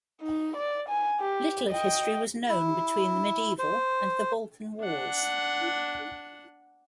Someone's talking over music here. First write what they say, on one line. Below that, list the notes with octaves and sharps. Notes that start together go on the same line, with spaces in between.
Little of history was known between the Medieval and the Balkan Wars.
D#4
D5
G#5
G4
D#5 G5
E4
C5
D4 F#5